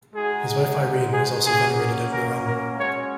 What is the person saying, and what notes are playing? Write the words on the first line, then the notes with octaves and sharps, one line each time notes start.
His wife Irene is also venerated at Murom.
G#3 D#4 F#4 G#4
G#4
A#3 C#4 F#4 G#4
A#4
A#4
G#3 C#4 F#4 C#5